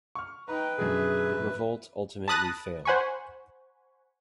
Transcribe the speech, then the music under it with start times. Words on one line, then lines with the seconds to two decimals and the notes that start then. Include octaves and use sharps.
The revolt ultimately failed.
0.15 C#6 F6
0.48 D#4 B4 G5 A#5
0.78 F#2 B2 D3 G#4 E5
2.28 A5 B5 D#6 F#6 A6 A#6
2.85 C5 F#5 G#5 B5 C#6